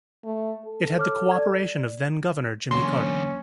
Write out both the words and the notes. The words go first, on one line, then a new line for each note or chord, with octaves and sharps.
It had the cooperation of then-Governor Jimmy Carter.
A3
A4
C#5 D6 F6
D5 G#6
E2 D3 F#3 A#3 C#4 C6